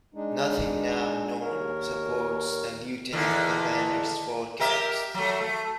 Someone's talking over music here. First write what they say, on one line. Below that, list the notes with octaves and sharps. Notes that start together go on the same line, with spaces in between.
Nothing now known supports the Lieutenant Commander's forecast.
G#3 D4 D#4
D#2 A#4 C#5
E2 D3 D#3
G4 A#4 E5
F#3 A3
A3